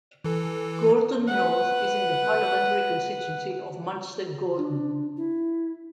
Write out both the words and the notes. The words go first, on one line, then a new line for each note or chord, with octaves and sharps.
Gorton North is in the parliamentary constituency of Manchester Gorton.
E3 A4
B4 F#5
D4
E4